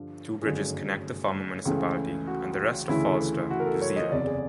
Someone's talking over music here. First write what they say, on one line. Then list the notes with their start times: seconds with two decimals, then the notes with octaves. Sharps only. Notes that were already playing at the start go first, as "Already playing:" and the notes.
Two bridges connect the former municipality, and the rest of Falster, to Zealand.
Already playing: G2 D3 F3
0.42 G1 F#2 D#3 F#3 A3 G#4
1.65 C#2 C#3 E3 A3
2.27 F#4
2.89 D2 C#3 E3 A3 E4
3.51 F#4
3.60 A#4
3.66 A4
3.82 C#5
3.96 D#5
4.12 F#1 E2 C3 D5
4.27 G#4